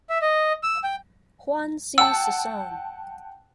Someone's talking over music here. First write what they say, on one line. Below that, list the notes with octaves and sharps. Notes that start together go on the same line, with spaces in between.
Juan C. Sison.
E5
D#5
E6
G5
F#5 G5 A5 E6